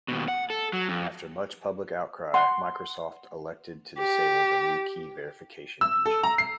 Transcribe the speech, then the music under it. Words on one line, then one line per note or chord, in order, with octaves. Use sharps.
After much public outcry, Microsoft elected to disable the new key verification engine.
D#2 B2
F#5
A4
F#3
F2
F#5 C6
G4
E6
A4
A#5
C7